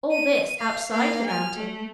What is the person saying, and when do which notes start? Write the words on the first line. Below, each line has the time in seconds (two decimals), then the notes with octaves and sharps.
All this outside the mountain!
0.11 D#7
0.59 F5
0.92 A#3 F5
1.27 G#5 F6
1.55 A3